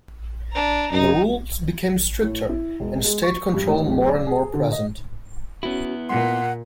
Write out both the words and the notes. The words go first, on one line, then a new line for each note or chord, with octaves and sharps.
The rules became stricter and State control more and more present.
D4 A#5
F#2 D#4
A2
E4
E1
G#3
C#6
G2
A1
D1
D5
G#4
D3
D#5
B3 C#4 E4 F#4
A#2 F#5 C6